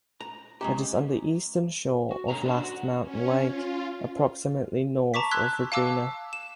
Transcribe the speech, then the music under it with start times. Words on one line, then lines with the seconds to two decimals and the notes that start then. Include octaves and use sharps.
It is on the eastern shore of Last Mountain Lake approximately north of Regina.
0.21 A#5
0.61 G#3 C#4 G4 A#5
2.11 F#4
2.28 G#2 B2 D3 G#4 C#5 A#5
2.44 D4 B4 C5
2.63 F#4
3.03 C#4
3.48 F4
5.14 A5 A#5 C#6 D6 B6
5.31 C6 E6 F#6 G#6 B6
5.72 F5 A5 D6 E6
6.33 E7